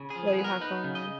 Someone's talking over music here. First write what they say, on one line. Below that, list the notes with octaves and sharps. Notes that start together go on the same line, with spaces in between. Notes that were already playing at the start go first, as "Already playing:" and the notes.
what do you have going on.
Already playing: C#3
G#4
F3
G#4
B3
A#4
D#4 B4
C#3
D#5